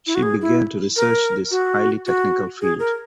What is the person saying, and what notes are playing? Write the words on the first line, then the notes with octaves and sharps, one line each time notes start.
She began to research this highly technical field.
E4
F#4
G#4
E4
A#4
F#4
F#4
G#4
A#4